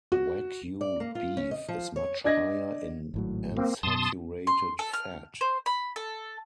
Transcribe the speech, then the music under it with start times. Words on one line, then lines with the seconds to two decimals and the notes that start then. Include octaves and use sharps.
Wagyu beef is much higher in unsaturated fat.
0.12 F#4
0.81 D5
1.00 A#3
1.15 F4
1.37 C#4
1.51 D#5
1.68 F3
1.96 C#5
2.24 D4 D5 D#5 G#6 A#6
3.14 G#1 A2 F#3
3.57 A#3 C4
3.83 F#2 B2 A5 C6 D#6
4.47 C6
4.79 A4
4.94 F6
5.41 C5
5.66 B5
5.96 A4